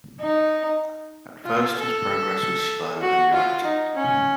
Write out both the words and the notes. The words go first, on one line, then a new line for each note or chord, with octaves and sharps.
At first his progress was slow and erratic.
D#4
F4
A4
F#4
F4
D#4
C#4